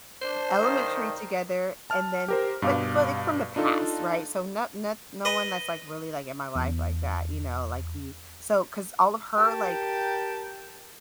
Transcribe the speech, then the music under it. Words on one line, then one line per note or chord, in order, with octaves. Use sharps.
elementary together and then but but, like, from the past right so no not no one that's, like, really, like, in my life like that, you know, like, we so cause all of her, like,
D4 C5
G2 D#3
A5 F6
G4 A#4 C5
G2 B2 F5 D6
D4 D#4 F4 A4
B4 D#5
E2
G4 A#4 G5 A5